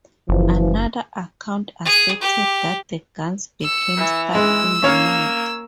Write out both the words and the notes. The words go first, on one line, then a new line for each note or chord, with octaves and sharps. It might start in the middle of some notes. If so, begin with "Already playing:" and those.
Another account asserted that the guns became stuck in the mud.
F#1 E3 F3
G#4
G4
E6 C#7
E3
G#3 E6
A#3 C#4 C#5 F5